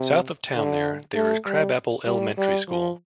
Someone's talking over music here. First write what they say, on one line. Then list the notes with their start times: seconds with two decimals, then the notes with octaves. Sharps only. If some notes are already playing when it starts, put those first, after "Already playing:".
South of town there is Crabapple Elementary School.
Already playing: C3
0.54 D3
1.15 A3
1.46 G3
2.06 G3
2.38 G3
2.68 F3